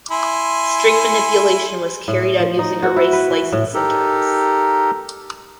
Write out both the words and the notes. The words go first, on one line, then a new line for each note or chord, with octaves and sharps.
String manipulation was carried out using array slicing syntax.
E4 G#5 C6
A2
F3
D#4
F#4
E4
B4
E3
A2
D#4 G4 A4 A#4